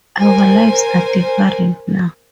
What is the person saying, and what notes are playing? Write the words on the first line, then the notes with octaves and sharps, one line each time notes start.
Our lives are different now.
A#4 C5 G#5